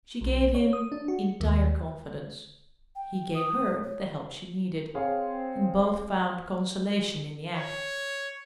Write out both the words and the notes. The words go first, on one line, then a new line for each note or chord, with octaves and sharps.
She gave him entire confidence, he gave her the help she needed, and both found consolation in the act.
B1
C#5
D#6
D4
F#4
D#2
G5
D#6
C#5
C4 G#4 C#5 F5
C#5